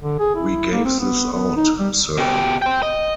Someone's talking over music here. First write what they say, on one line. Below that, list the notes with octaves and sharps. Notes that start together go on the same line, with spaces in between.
We gave this out, sir.
D3
G#4
E4
A#3
C4
B3
B3
D#4
G3
B2 G4
C5 G5
D#5